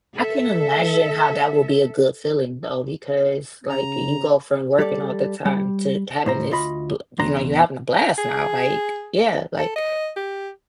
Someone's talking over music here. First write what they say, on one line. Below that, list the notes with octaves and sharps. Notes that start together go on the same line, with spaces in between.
I can imagine how that would be a good feeling though, because, like, you go from working all the time to having this, bl you know, you're having a blast now, like, yeah, like
A4 E5
C#3 A#5
G3 A4 D5
G3
A2 C5 A#5
D2 F4 D#5 B5
E2 B2 D4 A#5 C6
G#4
A4
D#5
G4